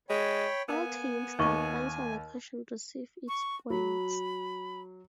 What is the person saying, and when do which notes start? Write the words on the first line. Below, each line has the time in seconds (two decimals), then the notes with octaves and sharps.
All teams that answer the question receive its points.
0.09 G#3 C#5 G5 B5
0.69 B3 A#4 F5 G#5
1.39 D#2 D#4 E5 G#5 C#6
3.28 C#6
3.70 F#3 B5